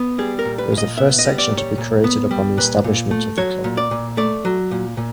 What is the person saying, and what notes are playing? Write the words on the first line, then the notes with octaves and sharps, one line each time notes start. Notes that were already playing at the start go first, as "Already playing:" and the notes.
It was the first section to be created upon establishment of the club.
Already playing: B3
G3 G#4
A#4
A#2
B4
A#2
D#5
B3 E5
D#5
G3
D5
A#2
C#5
A#2
B3
G3
A#2 B4
A#2
A3
F#3 C#5
A#2
D5
A#2
A3 D5
F#3
A#2
A#2